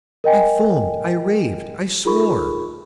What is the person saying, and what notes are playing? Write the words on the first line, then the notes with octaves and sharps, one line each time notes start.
I foamed--I raved--I swore!
A#4 D#5 G5 G#5
D#4 F4 G#4 A#4 B5 C#6